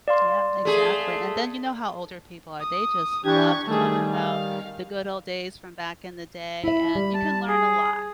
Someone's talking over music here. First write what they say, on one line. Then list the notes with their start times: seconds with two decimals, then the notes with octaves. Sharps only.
Yeah, exactly, and then you know how older people are, they just love to talk about the good old days from back in the day, and you can learn a lot.
0.08 D5 F5 C6
0.65 A3 G#4
2.60 D#6
3.25 E3 D4 G4 C#6 G#6
3.67 D#3 G3 A3 G#4
4.11 F5
6.64 E4 E5 B5
6.95 G3
7.14 A5
7.48 G#4